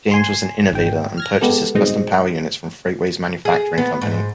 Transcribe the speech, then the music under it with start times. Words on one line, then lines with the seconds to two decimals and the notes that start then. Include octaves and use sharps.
James was an innovator, and purchased his custom power units from Freightways Manufacturing Company.
0.11 G#5 C6
0.71 G#1 G#2 G5
1.18 F6 G#6 A#6
1.41 G#3 B3 G4 A4
1.75 G2 B2 G#3 C4 D#4
3.45 G#4
3.78 B3
4.01 G#2